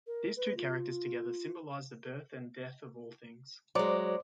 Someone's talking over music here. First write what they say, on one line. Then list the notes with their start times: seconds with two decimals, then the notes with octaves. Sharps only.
These two characters together symbolize the birth and death of all things.
0.07 A#4
0.37 B4
0.57 F4
3.75 F#3 G#3 C5 D5 D6